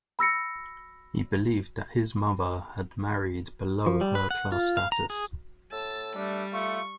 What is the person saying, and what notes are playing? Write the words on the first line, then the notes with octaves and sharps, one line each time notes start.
He believed that his mother had married below her class status.
B5 E6 A#6 C#7
F3
G3
B4
F#5
F4
F5
A#5
G#4
A2 A5 E6
G3 A3 D4
A3 F4 C#6